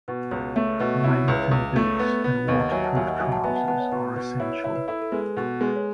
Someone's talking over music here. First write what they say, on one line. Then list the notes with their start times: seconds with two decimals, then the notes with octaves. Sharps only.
Wellington boots and waterproof trousers are essential.
0.08 B2 B4
0.31 C#2 C#5
0.56 A3 C#5 E5
0.80 B2 B4 D#5
1.03 E4 C#5 E5
1.16 C#5
1.28 C#2 B4
1.39 C#5
1.51 C#2
1.76 A3
1.99 B3
2.24 B3
2.47 D#2 B4 D#5
2.60 D#5 F#5
2.72 F#3 E5 G#5
2.84 F#5 A5
2.95 D#2 E5 G#5
3.08 D#5 F#5
3.19 F#3 E5 G#5
3.32 F#5 A5
3.44 B3 E5 G#5
3.55 F#5 A5
3.68 B3 F#5 A5
3.80 C#5
3.92 B2 B4
4.16 B2 B4
4.40 E4 C#5
4.52 C#5
4.64 E4 C#5
4.76 B4
4.88 E4 A4
5.02 A4
5.12 G#3 B4
5.37 B2
5.61 G#3
5.67 B4
5.76 C#5